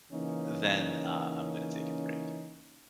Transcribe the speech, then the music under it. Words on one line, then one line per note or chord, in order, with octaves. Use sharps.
uh, then, uh, I'm gonna take a break.
C#3 E3 A#3 C#4 D#4